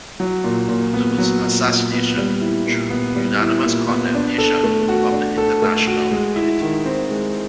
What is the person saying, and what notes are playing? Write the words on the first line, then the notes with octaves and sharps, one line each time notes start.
Bhutto's assassination drew unanimous condemnation from the international community.
F#3
A#2
A#2
B3
F#3
A#2
A#2
B3
G3
E4
A#2
B3
G3
E4
A#2
B3
D4
A4
A3
F#4
D4
A4
A3
F#4
G#3
E4
D#3
C4
G#3